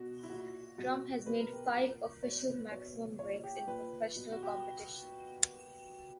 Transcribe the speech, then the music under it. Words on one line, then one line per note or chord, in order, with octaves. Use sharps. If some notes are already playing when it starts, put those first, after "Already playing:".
Trump has made five official maximum breaks in professional competition.
Already playing: B2 F#4
E4
A#2 F#4
B2 F#4
B2 B4
A#4
G4
A#4
A#2
B2 C#5
B4
B2 C#5
A#2 C#5
G4
G4
A#2 B4
B2
F#4
G4